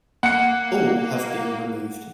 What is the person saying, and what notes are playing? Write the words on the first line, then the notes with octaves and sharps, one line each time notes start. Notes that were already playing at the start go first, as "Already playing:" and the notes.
All have been removed.
A#3 F#5 C#7